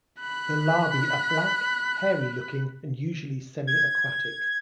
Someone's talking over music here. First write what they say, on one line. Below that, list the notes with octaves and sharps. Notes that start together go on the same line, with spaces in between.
The larvae are black, hairy-looking, and usually semiaquatic.
B5 F#6
G#6